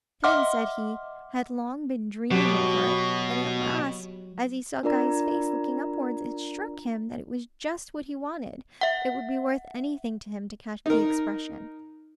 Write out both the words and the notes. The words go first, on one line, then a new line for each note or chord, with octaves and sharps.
Shene said he had long been dreaming over it, and at last, as he saw Guy's face looking upwards, it struck him that it was just what he wanted: it would be worth anything to him to catch the expression.'
D#5 E5 F#5 C6 D6 F6
B2 F#3 F#4 G4
D4 F4 A#4 D5 A#5
E5 F#5
D#4 A#4